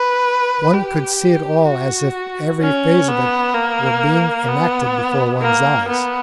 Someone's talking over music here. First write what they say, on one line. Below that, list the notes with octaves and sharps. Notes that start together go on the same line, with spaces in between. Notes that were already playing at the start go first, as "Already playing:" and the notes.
One could see it all as if every phase of it were being enacted before one's eyes.
Already playing: B4
G4
F#4
C#4
B3
A#3
B3
A#3
B3